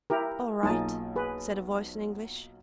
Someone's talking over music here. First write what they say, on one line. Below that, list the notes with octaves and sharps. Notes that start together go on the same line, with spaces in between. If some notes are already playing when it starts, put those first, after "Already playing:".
"All right," said a voice in English.
E4 G4 A#4
B1 A#3 D#4 F4 G#4 A5
G#4 B4